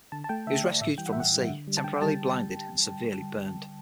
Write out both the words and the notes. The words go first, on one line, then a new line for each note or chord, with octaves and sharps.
He was rescued from the sea, temporarily blinded and severely burned.
D3 A5
A5
A3 G5
D3 E5
A3 D5
A2 E5
E3 G3 G5
F#5
E5
A2 F#5
E3 G3
D3
G3
A5
D3 G5
G5
G3 A5